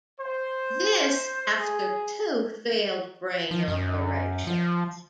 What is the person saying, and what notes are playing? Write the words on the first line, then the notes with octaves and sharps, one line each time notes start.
This after two failed brain operations.
C5
G#4
F3
F#2
F3